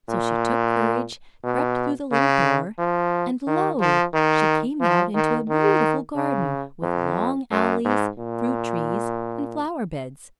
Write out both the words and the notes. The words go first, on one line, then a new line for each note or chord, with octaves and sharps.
So she took courage, crept through the little door, and lo! she came out into a beautiful garden, with long alleys, fruit-trees, and flower-beds.
A#2
B2
C#3
F3
D#3
F3
D#3
F3
D#3
D#3
C#3
F2
F#2
G#2
A#2